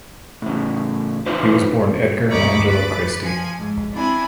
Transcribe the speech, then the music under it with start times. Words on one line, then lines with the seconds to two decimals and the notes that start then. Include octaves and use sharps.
He was born Edgar Angelo Christy.
0.42 A2 C#3
1.26 D#4 F4 B4 C5
2.29 D2 G2 D#4 B5 C#6 D6
2.66 B4 D6 A6
3.21 F3 G#5
3.57 G#2
3.93 C4 D4 E4 G#5